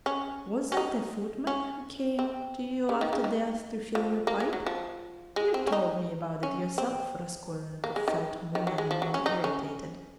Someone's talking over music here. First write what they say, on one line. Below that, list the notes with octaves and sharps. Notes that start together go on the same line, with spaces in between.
"Was that the footman who came to you after death to fill your pipe?... you told me about it yourself." Raskolnikov felt more and more irritated.
C#4
C#4
D#4
C#4
C4
C#3
D#3
C#3
D#3
F3
A#3
G#3
F#3
F3
G#3
C4
C#4
D#4
C#4
C4
A#3
G#3
D#3
D#3
F#3
G#3
F3
F#3
C#4
D#4
C#4